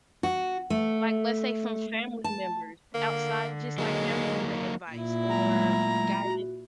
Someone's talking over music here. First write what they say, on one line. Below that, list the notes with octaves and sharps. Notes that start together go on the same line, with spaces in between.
like, let's say some family members outside just, like, family member advice or guidan
F#4
A3
A5
D3 A#3
F#3 G#3 A#3 D#4
A#2 E4
F#3 G#3 A3 A#5
F#4